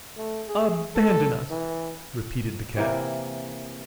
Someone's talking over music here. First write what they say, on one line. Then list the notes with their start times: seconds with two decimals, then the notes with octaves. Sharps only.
"Abandon us," repeated the Cat.
0.17 A3
0.47 G#4
0.95 A4
1.50 E3
2.77 C3 E3 A#3